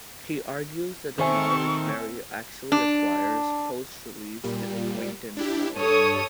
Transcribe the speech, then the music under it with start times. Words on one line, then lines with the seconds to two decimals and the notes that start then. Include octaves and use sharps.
He argues that the knowledge Mary actually acquires post-release is acquaintance knowledge.
1.19 D#3 C4 A4 C5 E5 G#5 C#6
2.72 D4
4.44 A#2 G3
5.37 D4 E4 G4
5.76 G2 A4 C#5 D#6